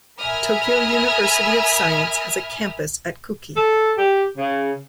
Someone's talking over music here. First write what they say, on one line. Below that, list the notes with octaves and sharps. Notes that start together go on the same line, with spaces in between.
Tokyo University of Science has a campus at Kuki.
A#4 E5 G#5 B5 D#6 F6
A4
G4
C#3